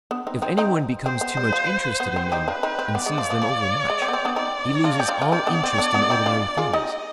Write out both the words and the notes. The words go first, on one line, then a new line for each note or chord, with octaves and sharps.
If any one becomes too much interested in them, and sees them over much, he loses all interest in ordinary things.
B3 D4
C4 D#4
C4 D#4
C4 D#4
C4 C5
B3
G3
F3
B3
C4
D#4 G4
D4 F4 B4
C4 D#4
C4
B3 D5
G#3
F3
F3
F3
G#3
C4
B3
C4
B3 D4
C4 D#4 D5
D4 F4
G4
D4 F4
F4
C4 D#4 D5
B3 D4
C4
B3 D4
B3 D4
C4 D#4
D4 F4
F4 G#4
D#4 G4 D#5